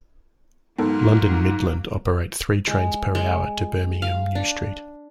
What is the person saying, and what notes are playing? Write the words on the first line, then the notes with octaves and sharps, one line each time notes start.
London Midland operate three trains per hour to Birmingham New Street.
G#2 F#3 A#3 B3 A4 A#4
G#3
G#3
F5
D4